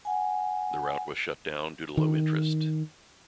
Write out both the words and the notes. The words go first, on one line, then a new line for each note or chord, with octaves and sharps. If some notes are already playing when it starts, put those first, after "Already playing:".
The route was shut down due to low interest.
F#5 G#5
D#3